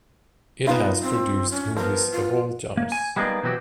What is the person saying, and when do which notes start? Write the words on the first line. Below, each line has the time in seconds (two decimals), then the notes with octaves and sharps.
It has produced movies of all genres.
0.67 B3 D#4 F4 F5
1.03 C4
1.51 C#4
1.77 F3 B3 A#4
2.12 F4
2.77 A#3
2.92 G#5
3.16 G3 G#3 A#3 B3 D4 D#4
3.43 B2 E3 F#3 C4 F#4 G4